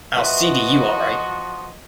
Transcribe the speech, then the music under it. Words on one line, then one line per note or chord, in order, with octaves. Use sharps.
I'll see to you all right.
F3 F#4 B4 D#5 E5